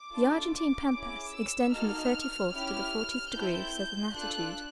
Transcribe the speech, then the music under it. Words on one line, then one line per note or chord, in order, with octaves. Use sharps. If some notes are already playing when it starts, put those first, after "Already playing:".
THE Argentine Pampas extend from the thirty-fourth to the fortieth degree of southern latitude.
Already playing: D6
A3 D4 F4 A4
D6
C#4 E4 G#4
E6
A#3 D#4 F#4 A4 F6
C#4 E4 G4 F6
C4 E4 A4 G6
D4 F4 A4 F#6